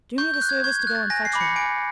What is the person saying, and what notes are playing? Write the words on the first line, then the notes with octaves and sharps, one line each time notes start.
"Do me the service to go and fetch him."
C#6 G6
G6
F#6
G#6
C#6 G#6
G#6
F#6
A6
G#5 A#6
C7
B5 D6
C#7
G#5 D7